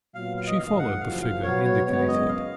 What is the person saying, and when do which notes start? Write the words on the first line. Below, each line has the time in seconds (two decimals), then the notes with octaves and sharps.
She followed the figure indicated.
0.15 A#2 F#3 B3 F4 F5
0.37 F5
0.47 D#5
0.58 A#1 G#2 D#3 F5
0.79 F#5
1.00 F#1 F#2 F3 F5
1.22 F5
1.43 B2 F#3 B3 F#4 C#5
1.64 C#5
1.85 G#1 F#2 C#3 G#3 B3 C#5
2.08 D#5
2.28 F5